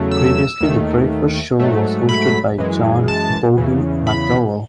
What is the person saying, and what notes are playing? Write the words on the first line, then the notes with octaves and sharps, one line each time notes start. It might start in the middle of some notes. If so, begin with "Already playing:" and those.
Previously the breakfast show was hosted by John "Boggy" McDowell.
Already playing: E2 C#3 F#3 A3
E6
D#2 D#3 A3
G#2 F#3 A3
B5
F#2 E3 G#3
A5
E2 C#3 E3
B5